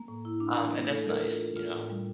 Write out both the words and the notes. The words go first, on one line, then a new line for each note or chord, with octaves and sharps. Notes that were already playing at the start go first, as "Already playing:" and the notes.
Um, and that's nice, you know?
Already playing: A#3
A2
E4
D4
E3
A3
A4
A#4
F4
F4
F4
A2
G3